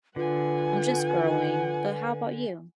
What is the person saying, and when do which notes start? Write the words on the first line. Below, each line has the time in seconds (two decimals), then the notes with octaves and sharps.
I'm just growing, but how 'bout you?
0.16 D3 F4 B4 F#5 G#5